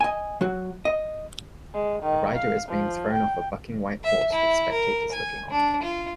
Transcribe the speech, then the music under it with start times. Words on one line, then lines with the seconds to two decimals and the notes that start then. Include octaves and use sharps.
A rider is being thrown off a bucking white horse with spectators looking on.
0.01 D#5 G#5
0.41 F#3 F#4
0.85 D#5
1.74 G#3
2.03 D#3
2.36 F5
2.69 F3
3.12 G5
4.04 E5
4.33 E4
4.72 A#4
5.12 G#5
5.51 D4
5.83 F4